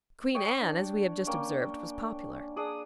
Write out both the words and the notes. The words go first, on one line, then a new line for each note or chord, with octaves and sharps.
Queen Anne, as we have just observed, was popular.
C#5 G5 D#6
D4
A#3 C#4 G5
D4 G#4 D5 D#6